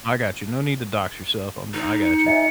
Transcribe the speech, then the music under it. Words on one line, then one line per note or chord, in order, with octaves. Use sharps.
I got you, no need to dox yourself, I'm d I got you.
D#4
C#7
D#5 E5 G#5